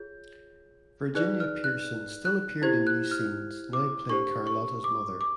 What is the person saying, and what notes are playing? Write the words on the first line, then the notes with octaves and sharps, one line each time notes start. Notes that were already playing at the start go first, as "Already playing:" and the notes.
Virginia Pearson still appeared in new scenes, now playing Carlotta's mother.
Already playing: F4 G#4 C#5 G6
D#4 G#4 B4 D5 F#6
F6
F#6
F#6
E4 G4 C5 G#6
F#6
F6
D6
D4 G4 C5 C#6
C#6
D6
D6